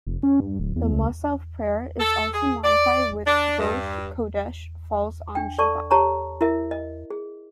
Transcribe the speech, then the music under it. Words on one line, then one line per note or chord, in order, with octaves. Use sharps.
The "Mussaf" prayer is also modified when Rosh Chodesh falls on Shabbat.
F1
C#4
G2
D1
E2
C#2
A4
G#4
D5
D4
G2
D4 G5
A4 D5 A5 C#6
G4 C#5 A5 A#5 C#6
E4 A#4 E5
D#5
G#4